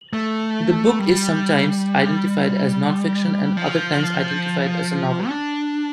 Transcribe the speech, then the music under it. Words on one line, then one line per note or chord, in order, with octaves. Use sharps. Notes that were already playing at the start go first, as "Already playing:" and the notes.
The book is sometimes identified as nonfiction and other times identified as a novel.
A3
G3
F3
D4